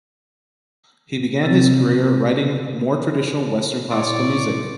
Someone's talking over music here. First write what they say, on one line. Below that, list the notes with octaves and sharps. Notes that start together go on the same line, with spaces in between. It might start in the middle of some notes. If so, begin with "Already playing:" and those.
He began his career writing more traditional Western classical music.
C3 C4 A6
A#2 E4 C#5 D5 C6